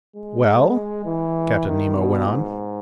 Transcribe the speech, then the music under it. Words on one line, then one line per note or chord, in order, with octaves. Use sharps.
"Well?" Captain Nemo went on.
G#3
E3
D#3
B2
G#2